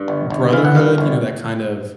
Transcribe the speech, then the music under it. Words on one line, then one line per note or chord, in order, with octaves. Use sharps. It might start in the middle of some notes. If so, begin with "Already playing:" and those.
brotherhood, you know, that kind of
Already playing: G2
G1
G1
E3 F5
F#5
G2 F5
G1